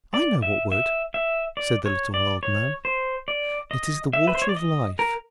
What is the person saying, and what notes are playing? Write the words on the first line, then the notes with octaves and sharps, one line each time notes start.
'I know what would,' said the little old man; 'it is the Water of Life.
D5
E5
E5
E5
D5
C#5
D5
C#5
C5
D5
D#5
E5
B4
C5
C#5
D5
D#5
A#4